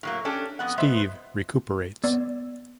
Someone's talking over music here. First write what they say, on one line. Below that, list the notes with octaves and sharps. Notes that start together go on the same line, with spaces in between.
Steve recuperates.
A2 F#3 A#3
C#4 D4 G4 A4
F2 B3 F#5
G#3 B3 B4 C5 E5
B3 D5